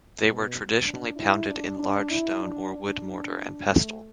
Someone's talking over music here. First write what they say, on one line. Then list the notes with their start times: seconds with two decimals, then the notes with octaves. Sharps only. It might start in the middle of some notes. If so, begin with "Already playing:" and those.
They were traditionally pounded in large stone or wood mortar and pestle.
0.21 B2
0.84 D4
1.16 E4
1.48 D4
1.80 D4
2.11 E4
2.42 D4
2.74 D4
3.69 A3